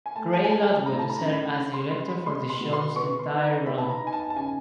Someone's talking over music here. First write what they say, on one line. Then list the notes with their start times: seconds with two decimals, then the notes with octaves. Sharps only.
Grey Lockwood served as director for the show's entire run.
0.06 G#5
0.16 A3 A5
0.33 A5
0.44 G#5
0.51 A3 A5
0.68 A5
0.86 A2 A#5
0.99 A5
1.10 A#5
1.21 C#4
1.33 B5
1.56 C#4
1.73 C6
1.91 G#3 C6
2.08 B5
2.26 G#3 C6
2.50 C6
2.61 B2
2.73 C6
2.96 B3 C#6
3.19 C6
3.31 D#4
3.43 A#5
3.66 B3 B5
3.78 A5
3.90 A#5
4.01 D#4
4.07 G#5
4.13 A5
4.30 A5
4.36 C#3 G#5